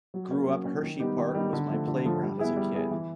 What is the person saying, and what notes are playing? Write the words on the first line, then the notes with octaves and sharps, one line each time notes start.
grew up Hershey Park was my playground as a kid.
F#3
A#3 C#4
F#3
A#3 C#4
D#3
G3 B3 D#4 G4
D#3
G3 B3 D#4 G4
D3
F3 A3
D3
F3 A3
G3
B3 E4 G#4
G3
B3 E4 G#4
E3